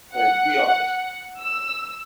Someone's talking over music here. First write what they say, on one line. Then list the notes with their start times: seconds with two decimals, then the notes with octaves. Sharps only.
Like, be honest.
0.13 F#5
1.40 E6